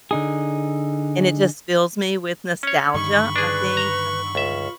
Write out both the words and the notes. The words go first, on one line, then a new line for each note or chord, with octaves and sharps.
and it just fills me with nostalgia. I think, um
D3 D#4 G#4
C#4 C#5
G2 D3 D#3 B5 C#6
D4 G#4 B4
A#5
C#2 F4 E5